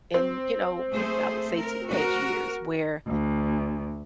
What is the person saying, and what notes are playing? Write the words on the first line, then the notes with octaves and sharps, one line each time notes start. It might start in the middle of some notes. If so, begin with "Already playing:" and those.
in you know, I would say teenage years where
C4
A3 G#4 C5
A#4
F#4 A#4
D2